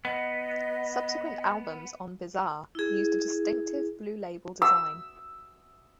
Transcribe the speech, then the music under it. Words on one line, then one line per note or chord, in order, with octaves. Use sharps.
Subsequent albums on Bizarre used a distinctive blue label design.
B3 D#5
E4 G#4
E6